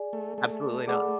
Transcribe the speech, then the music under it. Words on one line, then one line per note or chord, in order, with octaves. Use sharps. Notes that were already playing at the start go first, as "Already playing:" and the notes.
Absolutely not.
Already playing: G#4 D5 G#5
A3
A3
G#4 D5 F#5 B5 D6